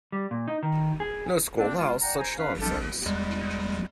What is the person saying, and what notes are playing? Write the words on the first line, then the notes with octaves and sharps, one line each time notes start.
No school allows such nonsense!
G3
A#2
D#4
D#3
G#4
A#3 C4 D4
G#3 F4
D5 F#5 G5 A#5
C5 G#5 A#5
C#4 B4 F5
G#3 C4 D4 F4 G4 A4
E2 G3 G#3